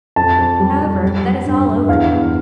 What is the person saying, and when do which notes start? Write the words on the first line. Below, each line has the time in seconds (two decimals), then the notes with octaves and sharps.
However, that is all over now.
0.16 F2 A5
0.38 F2
0.60 G3
0.81 F2
1.02 G3
1.25 G3
1.45 G2
1.67 G2
1.89 E2 F5
2.11 E2